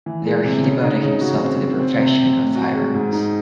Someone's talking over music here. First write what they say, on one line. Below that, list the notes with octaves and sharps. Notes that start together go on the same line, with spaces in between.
There he devoted himself to the perfection of firearms.
E3
G#3
C3
C#3
D#4
C#3
F#4
C4
C4
C4
C3
C3
A2
F#4
G#3
G#2
D#4